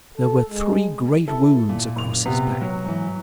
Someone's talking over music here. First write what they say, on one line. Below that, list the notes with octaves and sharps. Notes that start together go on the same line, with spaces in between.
There were three great wounds across his back.
A4
G#3
E4 A4
A#2
F#1 F7
C3 B3
F#3
G#2 E3